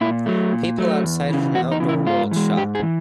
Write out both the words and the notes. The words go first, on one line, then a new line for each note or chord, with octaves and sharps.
People outside of an Outdoor World shop.
A#2 E4
F#3 A3
A#2
F#3 A3
E2
C#3 E3
E2 F#4
D#4
C#3 E3
E4
G#2 F4
E3 G#3
G#2 G4
G#4
E3